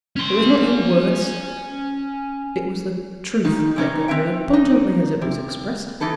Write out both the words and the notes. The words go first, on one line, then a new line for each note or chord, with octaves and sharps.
'It was not your words; it was the truth they conveyed, pungently as it was expressed.
C#4 C6
D#3 D#4
C3 C#4 D#4
C4 B4 E5 G5
D#4
C3
E3 D#4 A4 B4